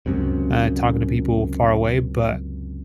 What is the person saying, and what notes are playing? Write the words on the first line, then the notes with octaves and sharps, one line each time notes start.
eh, talking to people far away, but,
C#2 F#2 C3